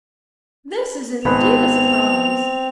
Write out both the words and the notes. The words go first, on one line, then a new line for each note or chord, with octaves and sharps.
"This is indeed a surprise!"
G#1 B3 C4 B4 B5 F7